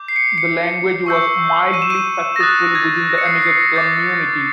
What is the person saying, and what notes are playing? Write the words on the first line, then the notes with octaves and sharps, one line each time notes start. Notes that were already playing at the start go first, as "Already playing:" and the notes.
The language was mildly successful within the Amiga community.
Already playing: D6 G6
C7
C#7
C#7
C#6 E6 G6
D#7
E7
D#7
A#6
D#6 F#6 A6
G#6
A#6
C#7
C7
C7
A#6
D6 G6 A6
A#6